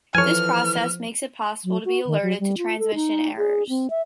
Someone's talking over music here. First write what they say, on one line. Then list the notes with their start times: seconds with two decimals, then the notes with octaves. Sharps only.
This process makes it possible to be alerted to transmission errors.
0.15 E3 F3 A4 C#5 G#5 F6
1.65 F#3
1.85 F#4
2.07 D#3
2.23 F#3
2.40 G3
2.58 F4
2.78 A4
2.94 D#4
3.37 G#4
3.69 C4
3.90 E5